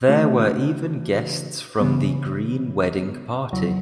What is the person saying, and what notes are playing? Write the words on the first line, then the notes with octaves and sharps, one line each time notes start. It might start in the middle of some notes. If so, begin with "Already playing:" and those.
There were even guests from the green wedding party.
C#3 E3 A3 D4 F#4
C#3 E3 B3
E2 C#3 F#3